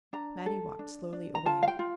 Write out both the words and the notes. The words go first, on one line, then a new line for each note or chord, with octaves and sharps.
Mattie walked slowly away.
D4 A#5
A4
D4
D4
A#5
F4 A5
F5
G5
F4